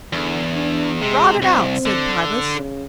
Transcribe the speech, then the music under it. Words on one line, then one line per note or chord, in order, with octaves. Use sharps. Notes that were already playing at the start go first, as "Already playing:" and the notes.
"Trot it out," said Pybus.
E2 D3
D4
C3 G#3
C2 C4
D3
C#3